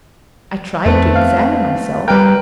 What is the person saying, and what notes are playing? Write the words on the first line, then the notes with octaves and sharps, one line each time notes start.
I tried to examine myself.
F2 A3 B3 C4
F5
G3 A#4 B4 G5